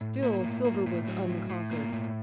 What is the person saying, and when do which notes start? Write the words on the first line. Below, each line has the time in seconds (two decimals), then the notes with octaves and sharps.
Still Silver was unconquered.
0.01 A2
0.23 A#3
0.44 A2
0.65 A#3
0.86 A2
1.07 F#3
1.29 A2
1.50 A2
1.71 A#3
1.92 A2